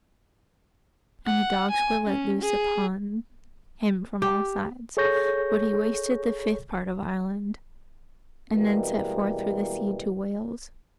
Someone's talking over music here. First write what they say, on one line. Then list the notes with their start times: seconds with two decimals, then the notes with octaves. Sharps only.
And the dogs were let loose upon him from all sides. But he wasted the fifth part of Ireland, and then set forth through the sea to Wales.
1.26 F#5
1.71 G#5
2.06 C#4
2.42 G#4
4.22 G4
4.97 G#4 A4 C#5 C#6 G6 A#6
8.53 B2 E3 G3 G#3 A#3